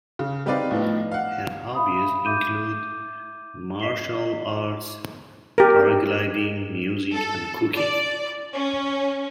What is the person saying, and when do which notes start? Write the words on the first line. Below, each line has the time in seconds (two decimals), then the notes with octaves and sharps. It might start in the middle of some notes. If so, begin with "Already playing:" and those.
Her hobbies include martial arts, paragliding, music, and cooking.
0.19 C#3
0.46 G3 C4 D#4 B4 D5 F5
0.71 A2 F3 B3 D#4
1.12 F5 F#5
1.75 E5 F5 B5 D#6
2.25 E5 D6 G6 D#7
3.80 D#5 B6 C7 G7
5.58 G4 A#4
7.14 A4
7.75 D5
8.53 C#4